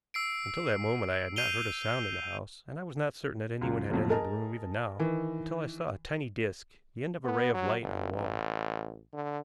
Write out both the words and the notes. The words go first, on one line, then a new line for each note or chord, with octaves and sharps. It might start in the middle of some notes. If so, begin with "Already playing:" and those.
Until that moment I had not heard a sound in the house, and I was not certain that anyone had entered the room even now, until I saw a tiny disk, the end of a ray of light, on the wall.
E6 C7 D7
G6 C7 D#7 F7 G7
C#2 F#2
F#1 B1 F2
G#4 A#4 D#5 A5
D#3 E3
B3
F#3
G1
A1
D3